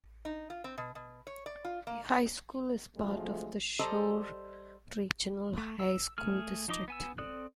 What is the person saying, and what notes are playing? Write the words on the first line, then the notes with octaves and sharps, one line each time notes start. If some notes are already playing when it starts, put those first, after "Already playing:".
The high school is part of the Shore Regional High School District.
D#4
F4
C4
B2
B2
C#5
D5
F4
A#3
D2 C3 F3 F#3 G#3 A3
G3 A4 C5 D#5 A#5
A3
E6
A3 G#4 F6
F3 D#4 D#5 D6
B3 G#5 E6
C4 A4 D5 D#6 F#6